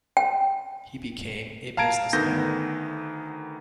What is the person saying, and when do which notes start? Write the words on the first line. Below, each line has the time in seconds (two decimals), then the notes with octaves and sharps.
He became a businessman.
0.17 G5
1.77 F5 A5 A#5 G#6 D7
2.13 D2 D#3 B3 A4 G6 A#6